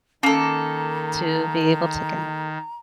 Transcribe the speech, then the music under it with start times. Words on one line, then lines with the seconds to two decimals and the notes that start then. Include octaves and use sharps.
to be able to get
0.23 D#3 A#3 C#4 A4 A#5